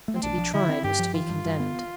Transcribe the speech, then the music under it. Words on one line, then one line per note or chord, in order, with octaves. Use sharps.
And to be tried was to be condemned.
A3
C4
B1 D4
F3
D3 E4
C4
G2 G4
F3
E3 F4
G2
G2
B3